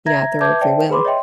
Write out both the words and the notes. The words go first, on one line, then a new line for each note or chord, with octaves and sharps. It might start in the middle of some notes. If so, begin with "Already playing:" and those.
you know, at their own free will,
E5 A#5 G#6 A#6
B4 E5 A5 D6 G6 G#6
C5 D5 E5 G5 A5
G#4 B4 B5 C6 D6
C#5 D#5 E5 G5 C6